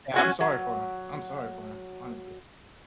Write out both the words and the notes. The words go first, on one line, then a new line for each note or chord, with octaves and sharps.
Yeah, I'm sorry for him, I'm sorry for him, honestly,
C#4 F#4 G#5
F#3